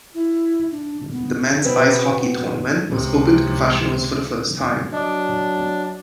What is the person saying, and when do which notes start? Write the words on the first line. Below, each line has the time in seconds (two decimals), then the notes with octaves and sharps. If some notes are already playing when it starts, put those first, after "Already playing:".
The men's ice hockey tournament was opened to professionals for the first time.
0.15 E4
0.71 D4
1.11 B3
1.64 B2 B3 C4 B4
2.90 C#2 C3
4.93 F#3 D4 D#5 D6